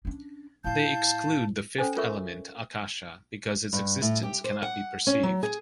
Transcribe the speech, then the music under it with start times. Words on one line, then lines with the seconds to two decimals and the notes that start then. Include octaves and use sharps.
They exclude the fifth element, Akasha, because its existence cannot be perceived.
0.05 C#4 D4
0.64 A2 E4 F5 A5 G6
1.78 C#4 A4 C5 G#5
1.97 F4 A4 A#4 C#5 E5 C#6
3.73 G2
4.02 A2
4.23 G4
4.44 C5
4.62 F#5
5.07 C#4
5.23 F#3
5.43 G#4